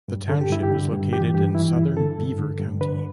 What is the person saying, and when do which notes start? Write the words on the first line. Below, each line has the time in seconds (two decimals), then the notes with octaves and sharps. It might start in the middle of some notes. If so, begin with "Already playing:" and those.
The township is located in southern Beaver County.
0.08 G2
0.29 D3 A4
0.41 G4
0.50 G2 E4
0.63 G4
0.71 D3
0.92 G2
1.13 E3 G4
1.34 G2 G4
1.55 E3 E4
1.76 G2 E4
1.97 D3 A4
2.18 G2
2.39 D3
2.60 G2
2.81 D3 B4